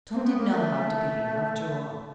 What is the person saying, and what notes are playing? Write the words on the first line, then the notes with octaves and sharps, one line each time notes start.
Tom did know how to behave, after all.
C4
B3
A#3
A3